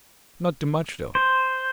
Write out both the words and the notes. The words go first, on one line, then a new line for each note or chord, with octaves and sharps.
Not too much, though.
C5